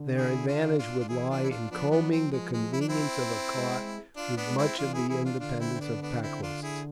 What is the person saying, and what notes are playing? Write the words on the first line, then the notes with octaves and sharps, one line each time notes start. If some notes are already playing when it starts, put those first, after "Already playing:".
Their advantage would lie in combining the convenience of a cart with much of the independence of pack-horses.
Already playing: D3
E4 G#4
D4 F4
D4 F4
F4
E3 E4 G#4
D4 F4
E4
D4 F4
F3 B3 D4
B3 D4
C4
G#3
G#3
E4
D4
C4 E4
G#3
D4 F4
B3 D4
G#3
C4 E4
E3 D4 F4
E4 G#4
E3 E4 G#4
D4 F4
D3 D4 F4
C4 E4
C4
B3 D4
B3 D4
C4 E4
D4 F4
E4 G#4